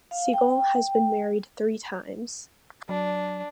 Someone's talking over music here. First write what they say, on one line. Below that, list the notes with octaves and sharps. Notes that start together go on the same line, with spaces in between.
Segal has been married three times.
F5
G5
F#3 D4